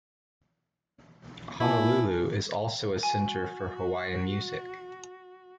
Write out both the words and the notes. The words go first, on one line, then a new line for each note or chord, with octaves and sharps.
Honolulu is also a center for Hawaiian music.
A#2 E4 G#5 A5 B5
F#4 G#5